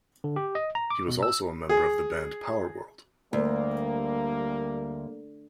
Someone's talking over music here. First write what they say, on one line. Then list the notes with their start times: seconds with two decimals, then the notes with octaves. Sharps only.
He was also a member of the band Powerworld.
0.24 D3
0.36 G4
0.55 D#5
0.75 A#5
0.90 D6
1.08 B2
1.23 E6
1.69 G#4
3.33 D2 G3 A#3